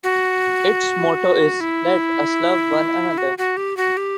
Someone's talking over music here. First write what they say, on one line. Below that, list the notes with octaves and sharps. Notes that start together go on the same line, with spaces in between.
Its motto is "Let Us Love One Another".
F#4
E4
F#4
F#4
G4
F#4
G4